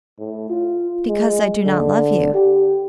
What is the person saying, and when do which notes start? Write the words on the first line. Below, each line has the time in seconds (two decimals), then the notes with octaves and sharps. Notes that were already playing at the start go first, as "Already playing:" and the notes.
"Because I do not love you."
0.19 A2
0.50 F4
1.08 G#3
1.66 D3
2.34 G4